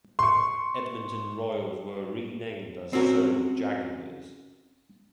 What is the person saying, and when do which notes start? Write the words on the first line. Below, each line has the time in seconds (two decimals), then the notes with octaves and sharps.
Edmonton Royals were renamed as Surrey Jaguars.
0.19 C6 C#6
2.93 C4 C#4 F#4 A#4